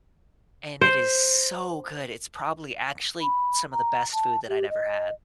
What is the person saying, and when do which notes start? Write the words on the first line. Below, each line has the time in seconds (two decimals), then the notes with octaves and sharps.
and it is so good. It's probably actually some of the best food that I'd ever had.
0.81 C5
3.21 B5
3.73 A#5
4.14 A5
4.49 G4
4.69 D#5